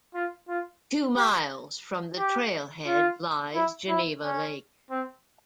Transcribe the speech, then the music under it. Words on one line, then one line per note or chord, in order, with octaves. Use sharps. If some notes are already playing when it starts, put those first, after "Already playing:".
Two miles from the trailhead lies Geneva Lake.
F4
F4
G4
G4
F4
E4
E4
C#4
C4